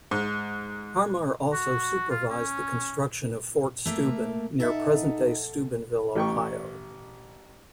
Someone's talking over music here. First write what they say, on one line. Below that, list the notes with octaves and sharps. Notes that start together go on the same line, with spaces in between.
Harmar also supervised the construction of Fort Steuben near present-day Steubenville, Ohio.
G#2
F#4
F4
C#4
A3 A#3 E5
D#4 A4 E5 F#5
A1 G5 C#6